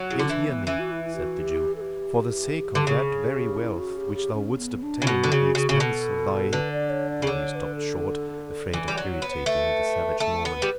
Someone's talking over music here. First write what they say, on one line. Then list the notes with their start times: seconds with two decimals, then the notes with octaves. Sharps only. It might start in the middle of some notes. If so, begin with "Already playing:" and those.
"Yet hear me," said the Jew--"for the sake of that very wealth which thou wouldst obtain at the expense of thy---" Here he stopt short, afraid of irritating the savage Norman.
Already playing: F#3
0.10 C#3 E4
0.19 D3
0.25 C#4
0.29 E3 D4
0.48 B3
0.67 E3 C#4
0.79 F#4
0.92 E4
1.05 E4
1.16 G4
1.19 F#4
1.39 G4
1.76 A4
1.81 G4
2.75 D3
2.87 C#3
3.23 A4
3.28 G4
3.60 E4
3.78 F#4
3.97 G4
4.15 G4
4.33 C#4
4.58 B3
4.83 D4
5.02 C#3
5.07 B2 F#4 G4
5.24 D3
5.32 C#3
5.55 C#3
5.69 C#3
5.80 B2 A4
6.53 D3 B4
6.72 D5
6.90 C#5
7.08 D5
7.22 C#3
7.27 D3 C#5 D5
7.52 C#5
7.55 B4
7.76 A4
8.73 E3
8.88 G3 D5
8.98 F#3
9.11 C#5
9.22 B3
9.29 C#5
9.34 B4
9.46 A3
10.20 A3 A4
10.45 B3
10.57 B4
10.62 G3